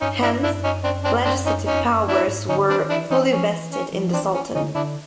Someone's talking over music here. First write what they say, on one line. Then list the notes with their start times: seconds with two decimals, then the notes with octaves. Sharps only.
Hence, legislative powers were fully vested in the Sultan.
0.01 G2 C#4 D#4
0.22 D4 E4
0.43 F#2 D4 E4
0.51 G2
0.59 F#2
0.64 C#4 D#4
0.84 C4 D4
1.04 C4 D4
1.25 C4 D4
1.46 C#4 D#4
1.66 F2 C#4 D#4
1.87 F#2
2.08 D4 E4
2.28 G#2
2.49 D3 C#4 D#4
2.69 D#3 C4 D4
2.89 E3 D4 E4
3.10 E3 C#4 D#4
3.31 F3 C#4
3.52 E3
3.72 C#4
3.93 F3
4.13 E3 C4 D4
4.34 C#4
4.55 D3 C#4 D#4
4.75 D3 D4 E4